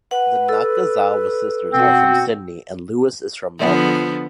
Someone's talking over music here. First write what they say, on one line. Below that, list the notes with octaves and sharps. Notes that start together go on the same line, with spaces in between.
The Nakazawa sisters are from Sydney and Lewis is from Melbourne.
B4 F#5
A4 E6
B2 C4 F#4
D3 F3 B3